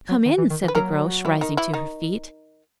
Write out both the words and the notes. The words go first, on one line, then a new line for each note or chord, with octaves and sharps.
'Come in,' said the Groac'h, rising to her feet.
F#3
D#3
E3
D#3
E3
B4
F#3 A#3 A#4
E3 E4
D#3 D#4
E3 E4
D#3 D#4